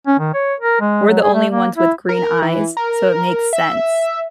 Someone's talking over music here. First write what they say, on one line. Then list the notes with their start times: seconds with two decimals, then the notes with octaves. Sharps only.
we're the only ones with green eyes, so it makes sense.
0.07 C#4
0.20 D#3
0.34 C#5
0.60 A#4
0.81 G#3
1.08 F#3
1.23 G#4
1.34 A3
1.51 A#3
1.78 E4
2.09 A#4
2.42 E3
2.77 A#4
3.53 E5
3.77 E5